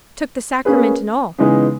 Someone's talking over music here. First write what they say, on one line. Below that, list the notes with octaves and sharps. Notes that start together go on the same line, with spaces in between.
"Took the sacrament and all."
A#3 C#4 G#4 B4
C#3 E3 G#3 B3 D#4